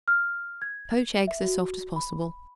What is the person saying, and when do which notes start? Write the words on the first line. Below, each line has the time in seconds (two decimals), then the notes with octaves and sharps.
Poach eggs as soft as possible.
0.08 F6
0.62 G#6
1.27 E5
1.43 F#4
1.96 B5